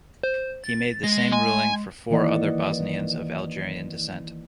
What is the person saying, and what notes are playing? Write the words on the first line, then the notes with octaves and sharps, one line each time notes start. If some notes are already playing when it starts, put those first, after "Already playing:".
He made the same ruling for four other Bosnians of Algerian descent.
C5
A6
G#3 A#6
G#3 G#5
D#3 E3 A#3 D5 D#5 F#5